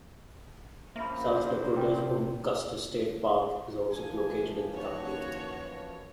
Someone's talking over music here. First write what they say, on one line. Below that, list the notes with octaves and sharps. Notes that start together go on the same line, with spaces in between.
South Dakota's own Custer State Park is also located in the county.
A#1 A#3 C#4 C5 E5 B5
C3 B4 G5
F#2 E3 F3 G#5
D#2 F#4 C#5